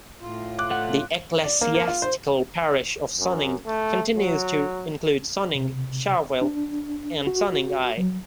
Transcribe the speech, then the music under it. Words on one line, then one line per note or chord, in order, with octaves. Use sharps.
The ecclesiastical parish of Sonning continues to include Sonning, Charvil and Sonning Eye.
A2 F4
D6 F#6
A3 F#5
D5
A#3
A#3
F4
C5
F#2
A3
F#3
C3
D4
F#4
F#3